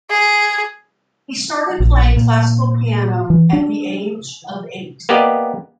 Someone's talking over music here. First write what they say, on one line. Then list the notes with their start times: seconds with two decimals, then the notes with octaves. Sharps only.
He started playing classical piano at the age of eight.
0.10 G#4
1.80 A#1
2.16 A#2
3.30 E3
3.53 D4
5.09 A#3 B3 G4 D5 D#5